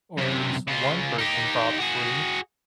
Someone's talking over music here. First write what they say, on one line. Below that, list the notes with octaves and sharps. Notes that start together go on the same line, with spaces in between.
or at least one person probably,
F#2 C3
C#3 F4
D#4 G4
F#4 G#4